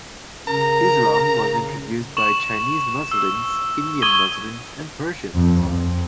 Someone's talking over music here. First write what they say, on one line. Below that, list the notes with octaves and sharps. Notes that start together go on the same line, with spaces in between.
Islam was introduced by Chinese Muslims, Indian Muslims, and Persians.
C#3 A#4 A#5
C#6 E7 F#7
E6
C#6 D#6 G#6 D#7 G7
F2
F2